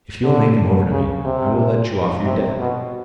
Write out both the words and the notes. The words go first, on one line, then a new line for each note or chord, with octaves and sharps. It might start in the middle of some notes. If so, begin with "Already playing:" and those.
If you will make him over to me, I will let you off your debt.'
D3
C#3
C3
C3
B2